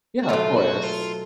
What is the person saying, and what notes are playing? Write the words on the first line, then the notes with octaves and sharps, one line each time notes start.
Yeah, of course.
F#4
B2 F#3 A3 F4
F#4
F4